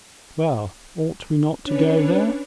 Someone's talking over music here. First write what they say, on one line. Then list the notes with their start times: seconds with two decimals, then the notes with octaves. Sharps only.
"Well, ought we not to go there?"
1.62 C#4 D4 B4 C#5